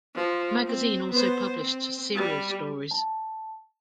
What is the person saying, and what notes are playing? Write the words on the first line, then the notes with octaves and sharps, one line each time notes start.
The magazine also published serial stories.
F3
C4
B3 C5
C4
G3
A5